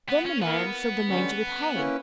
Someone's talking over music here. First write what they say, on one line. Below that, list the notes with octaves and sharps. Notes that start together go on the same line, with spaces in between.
Then the man filled the manger with hay.
B3
C#4
A#3 B3 E4 A#4
D3 G3 C#4
A#3 C#4 E4 B4